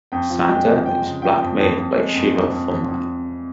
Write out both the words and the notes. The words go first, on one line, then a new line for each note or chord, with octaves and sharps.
Santa is blackmailed by Shiva for money.
F2 G5
F3
G#3 G5
F3
F2 G5
C#3
F3 G5
F2
F2
F2
G#3
F2
F2
F2
F2
F2